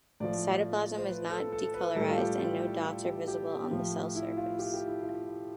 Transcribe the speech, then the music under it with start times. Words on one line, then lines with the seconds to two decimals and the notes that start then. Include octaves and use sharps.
The cytoplasm is not decolorized and no dots are visible on the cell surface.
0.20 A2 F3 D5
0.97 C5
1.08 B4
1.30 A4
1.52 A4
1.74 B4
1.95 A2 G3 A4
2.10 F4
2.18 G4
2.39 F4
2.62 E4
2.83 F4
3.06 G4
3.28 G4
3.71 A2 F3
4.15 E4
4.37 F4
4.59 G4
4.74 G4
4.88 E4
5.03 F4